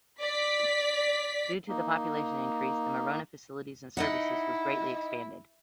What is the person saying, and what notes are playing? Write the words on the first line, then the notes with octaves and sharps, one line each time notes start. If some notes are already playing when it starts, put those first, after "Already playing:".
Due to the population increase, the Monona facilities and services was greatly expanded.
D5 B6
A#3 D#4
D#4 E4 D#5 F#5